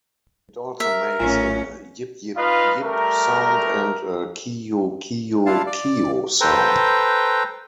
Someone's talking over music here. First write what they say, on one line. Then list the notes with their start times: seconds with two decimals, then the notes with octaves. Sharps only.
It also makes a "yip yip yip" sound and a "kee-u, kee-u, kee-u" sound.
0.80 A#4 E5
1.19 A#1 A2 C#4 F4 G#5
2.37 D#4 F4 B4 D#5 F5
2.83 G3 A3 A#4
5.46 D4 E4 F4 F5 A5
5.67 D5
6.41 A4 B4 C5 G5 A#5